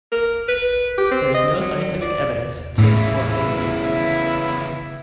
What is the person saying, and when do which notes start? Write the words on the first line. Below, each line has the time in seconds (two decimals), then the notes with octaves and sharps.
There is no scientific evidence to support any of these claims.
0.12 A#4
0.48 B4
0.98 G4
1.12 C4
1.34 D#5
1.60 F#3
2.01 D5
2.78 A2 C#3 E3 B3 E4